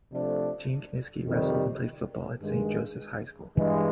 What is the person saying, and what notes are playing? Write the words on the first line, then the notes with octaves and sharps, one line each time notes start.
Gene Kiniski wrestled and played football at Saint Joseph's High School.
C3 F3 A3 D4
F2 C3 D#3 G3
G2 D#3 G#3
G2 E3 G#3